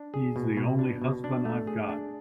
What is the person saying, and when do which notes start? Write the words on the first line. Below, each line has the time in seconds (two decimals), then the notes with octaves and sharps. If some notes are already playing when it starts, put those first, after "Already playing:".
He's the only husband I've got.
Already playing: D4
0.14 G#4
0.36 B2
0.57 B2
0.79 D4
1.02 B2
1.24 D4
1.45 A3
1.67 G#4
1.89 D4